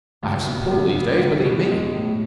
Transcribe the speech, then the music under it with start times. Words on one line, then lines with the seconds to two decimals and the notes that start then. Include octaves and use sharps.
I have some pull these days, believe me.
0.23 C#2
0.47 B2
0.72 C#2
0.96 G3
1.20 C#2
1.45 B2
1.70 G#3
1.94 A2